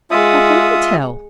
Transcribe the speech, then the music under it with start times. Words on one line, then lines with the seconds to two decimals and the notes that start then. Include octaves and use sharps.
"How can I tell?"
0.11 G#3 F4 E5 F#5 D#6